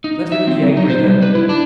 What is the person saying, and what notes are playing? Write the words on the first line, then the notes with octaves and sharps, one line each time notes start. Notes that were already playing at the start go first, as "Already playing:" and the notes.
Let him be angry then.
D#4
E5
C4
F#3
D#4
C5
G3
B4
E4
D4